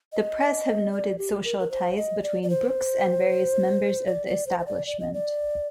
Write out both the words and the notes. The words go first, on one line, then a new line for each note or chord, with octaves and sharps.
The press have noted social ties between Brooks and various members of the Establishment.
D#5
D5
G4
A#4
A#4
C5
D#5
D5
D5
C5
D5
D5
C5
C5
D5
D5
D#5
D5